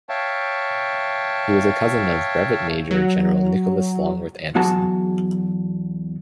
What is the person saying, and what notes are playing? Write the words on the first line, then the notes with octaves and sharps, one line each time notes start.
He was a cousin of Brevet Major General Nicholas Longworth Anderson.
C#5 E5 F5 G5 A5
F#3
E2 F#3 F#4 G#4 A5 A#5